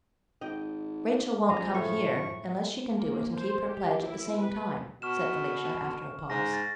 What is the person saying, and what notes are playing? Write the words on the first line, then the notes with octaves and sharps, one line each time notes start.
"Rachel won't come here unless she can do it and keep her pledge at the same time," said Felicia, after a pause.
G#1 D#5 G5
F#2 F3 G#4 A#5
A2 C#6
A#3
C5
G4
E4
B4
B2 C#6 F6 E7
G#2 A#6
A6